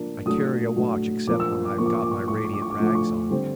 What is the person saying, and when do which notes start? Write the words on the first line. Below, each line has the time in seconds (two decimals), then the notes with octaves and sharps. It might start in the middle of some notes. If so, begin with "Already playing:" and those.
"I carry a watch except when I've got my radiant rags on."
Already playing: F3 A#3 D4
0.25 A2 F#3 A3 D4 D#6
0.76 A2 F#3 A3 D4
1.27 A#2 F3 A#3 D6
1.40 E6
1.52 E6
1.65 D6
1.78 A#2 F3 A#3 C#6
1.86 D6
1.94 C#6
2.02 D6
2.11 C#6
2.20 D6
2.28 A2 F3 A3 C#6
2.37 D6
2.45 C#6
2.53 D6
2.62 C#6
2.70 D6
2.79 A2 F3 A3 C#6
2.87 D6
2.95 C#6
3.30 D3 G3 C4